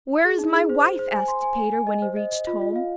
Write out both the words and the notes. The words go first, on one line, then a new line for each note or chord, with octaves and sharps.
'Where is my wife?' asked Peter, when he reached home.
G#4
D#4
G#4
C5
C5
C5
G#5
C6
G#5
G#5
G#5
D#5
C5
D#5
D#5
F4
F4
F5